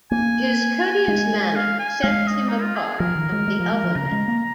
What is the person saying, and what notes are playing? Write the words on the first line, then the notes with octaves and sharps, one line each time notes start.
His courteous manner sets him apart from the other men.
A#3 G#5
G#3
F5
G#5
G#3 F5
D#5
D#4
F4
G#4
F3 A#4
D#3
G#3
G#3
F3
G#3
F3
C#3 A#5
G#3
A#3